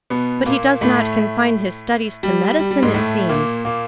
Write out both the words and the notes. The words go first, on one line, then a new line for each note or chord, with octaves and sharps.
But he does not confine his studies to medicine, it seems.
B2 B3
A#2 A#3
A2 A3
G3
G3
G3
G#2 G#3
A2 A3
A#2 A#3
A#2 A#3